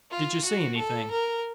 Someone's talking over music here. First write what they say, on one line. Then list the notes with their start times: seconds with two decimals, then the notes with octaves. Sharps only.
'Did you see anything?'
0.11 F4
0.44 F#4
0.77 A4
1.11 A#4